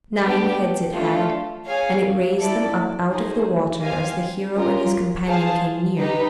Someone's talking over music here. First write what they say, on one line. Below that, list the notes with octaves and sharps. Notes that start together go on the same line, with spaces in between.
Nine heads it had, and it raised them up out of the water as the hero and his companion came near.
B3 D4 G4
A3 D4 F4 A4
G#4 C#5 F5 G#5
E4 A4 D5
D#4 G#4 C5
G4 C5 F5 G#5
C#4 F4 A#4
G#4 C5 F5 A5
D#4 G4 B4